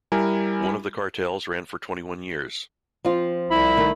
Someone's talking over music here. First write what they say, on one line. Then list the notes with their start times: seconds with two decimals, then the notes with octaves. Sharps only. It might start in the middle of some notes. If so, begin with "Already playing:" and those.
One of the cartels ran for twenty-one years.
0.12 G3 E4 A#4 G#5
3.05 F3 C4 F4
3.50 C2 E4 B5
3.77 D#3 A3